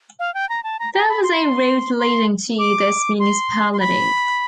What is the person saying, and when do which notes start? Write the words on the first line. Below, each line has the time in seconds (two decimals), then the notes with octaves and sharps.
There was a road leading to this municipality.
0.19 F5
0.34 G5
0.49 A#5
0.64 A5
0.79 A#5
0.94 A#5
1.09 B5
1.23 C6
1.99 C6
2.59 D6
3.20 C6
3.73 C6
3.80 B5